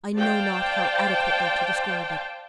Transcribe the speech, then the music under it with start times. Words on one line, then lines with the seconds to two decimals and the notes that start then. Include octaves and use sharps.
I know not how adequately to describe it.
0.17 C5 D5 F5 G5 A5